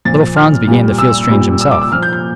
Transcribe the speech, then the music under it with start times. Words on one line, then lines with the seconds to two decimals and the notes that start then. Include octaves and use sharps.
Little Franz began to feel strange himself.
0.05 A#2 F3 A6
0.36 F6
0.67 A#2 G3
0.98 E6
1.30 A#2 G3
1.61 E6
1.71 D6
1.81 E6
1.92 A#2 F3 F6
2.02 G6
2.13 G6